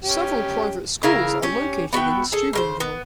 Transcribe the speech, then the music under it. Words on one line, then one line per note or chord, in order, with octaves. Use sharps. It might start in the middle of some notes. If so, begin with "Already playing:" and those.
Several private schools are located in Steubenville.
C#4 G4
C#3 E4 A#4 F5
C#4 G4
B3 F#4 E5 G5
G#4 A4
C#3 A#4 C5
B3